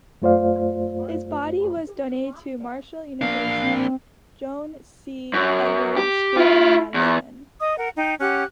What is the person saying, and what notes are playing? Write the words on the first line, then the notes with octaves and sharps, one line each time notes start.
His body was donated to Marshall University's Joan C. Edwards School of Medicine.
F#2 A3 F4 C5 D5 F5
A#3 D4 F5
C4
F#2
G4
E4 F4
E2
D#5 D#6
A#4 F#5
D#4 G5
C#4 G4 F#5 F#6